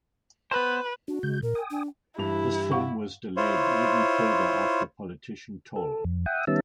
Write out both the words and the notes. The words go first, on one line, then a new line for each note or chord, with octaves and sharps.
The film was delayed even further after politician Thol.
B3 B4 C5
D4 F#4
C#3 G#3 G6
A#2 A#4
G5 G#5 D#6
D4
G2 E3 E4 G4 F7
F5 F#5 C#6
E4 F4 C5 C#5
A4
F2
E5 F#5 G5 D#6
D#3 G3 B3 C#4 E5 A5